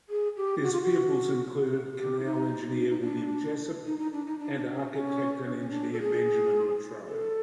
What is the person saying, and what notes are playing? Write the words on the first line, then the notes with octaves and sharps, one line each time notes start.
His pupils included canal engineer William Jessop and architect and engineer Benjamin Latrobe.
G#4
G4
F#4
F4
F#4
G4
E4
D#4
D4
D#4
D4
D#4
D#4
D4
D#4
D4
D4
C#4
C#4
D4
C#4
D4
A4
G#4
A4